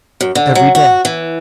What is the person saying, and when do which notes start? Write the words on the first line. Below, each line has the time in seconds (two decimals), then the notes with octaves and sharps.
'Every day.
0.21 F#2
0.35 D3
0.55 F#3
0.75 F#4
1.05 E3